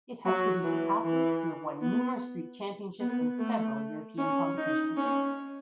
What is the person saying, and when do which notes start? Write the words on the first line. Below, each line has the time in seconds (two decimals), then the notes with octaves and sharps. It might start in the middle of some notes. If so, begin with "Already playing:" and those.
It has produced athletes who have won numerous Greek championships and several European competitions.
0.25 F#3
0.64 E3
1.04 E3
1.81 B3
3.00 B3
3.39 A3
4.18 C#4
4.57 D#4
4.97 C#4